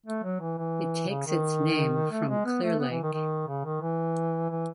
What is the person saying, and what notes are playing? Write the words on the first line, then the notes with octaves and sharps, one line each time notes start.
It takes its name from Clear Lake.
A3
F#3
E3
E3
C#3
D#3
A3
G#3
B3
A3
B3
E3
D#3
D#3
C#3
D#3
E3
E3